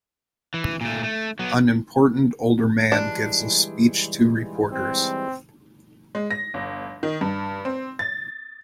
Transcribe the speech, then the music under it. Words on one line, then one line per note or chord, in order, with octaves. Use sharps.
An important older man gives a speech to reporters.
E3
A#2 A3
A3
F#3 B3
E3 G3 G#3 D4
C4
G#3
A#6
G1
D#3
G2
C4
A6